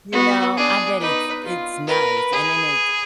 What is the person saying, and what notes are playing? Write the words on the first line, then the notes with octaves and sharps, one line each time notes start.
you know, I bet it's it's nice, and then it's
B3 F#4
D4 G#4
D#4 B4
F4
A#4 B4
G#4